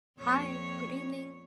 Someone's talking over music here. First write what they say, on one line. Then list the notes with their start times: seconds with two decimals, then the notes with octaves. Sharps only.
Densely rich cemetery songs.
0.19 F2 A#2 C#5